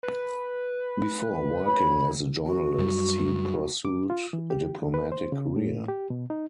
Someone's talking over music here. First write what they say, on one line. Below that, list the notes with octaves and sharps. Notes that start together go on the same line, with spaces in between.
Before working as a journalist he pursued a diplomatic career.
B4
C#5 B5
F#4
F#2 G3
D6
F4
E3
G4
D3
B4
C5
C#3
A2
G4
B2
D#4